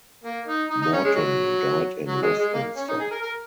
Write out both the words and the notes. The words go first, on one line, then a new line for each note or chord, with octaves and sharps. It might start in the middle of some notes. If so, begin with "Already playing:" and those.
Morton died in Westminster.
A#3
D#4
D#4
D#4
C#4
G#3
F#3
F#3
G#3
G#3
A#3
C#4
D#4
G#4
A#4
A#4